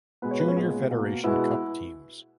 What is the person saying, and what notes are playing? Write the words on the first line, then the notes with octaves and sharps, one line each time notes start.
Junior Federation Cup Teams.
B2 G#3 B3 B4
C#5
B4
C#4
A#2 G#3 B3
B2 A#3
B2 G#3 B3 E4